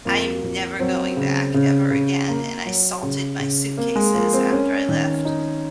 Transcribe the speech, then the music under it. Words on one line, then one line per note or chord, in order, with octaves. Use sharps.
"I am never going back ever again, and I salted my suitcases after I left,"
F2 A#3
F2
F#3 C4
C#3
C#3
C#3
A#3
F#3
C#3
C#3
A#3 C4
G#3
F3 A#3
C4
C#4 A#4
D#3
D#4